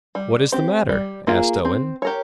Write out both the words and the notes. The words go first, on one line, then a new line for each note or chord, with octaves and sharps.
"What is the matter?" asked Owen.
G3
C4 G4 C5
G3
A#3 F4 G#4
C4
G4 A#4 C#5